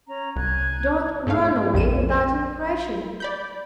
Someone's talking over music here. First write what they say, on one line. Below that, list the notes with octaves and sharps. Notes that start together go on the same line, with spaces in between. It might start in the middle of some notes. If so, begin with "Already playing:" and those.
Don't run away with that impression.
C#4 A#5
C2 G#5 F#6 G#6
G#2 A3 C#5 F5
A#1 F2 D#7 E7
D5 B5 G6